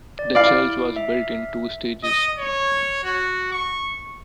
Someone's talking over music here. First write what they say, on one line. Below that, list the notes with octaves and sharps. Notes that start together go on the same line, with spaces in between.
The church was built in two stages.
D5
E4 D5 F5 D7
E5
D#5
C#5
F#4
C#6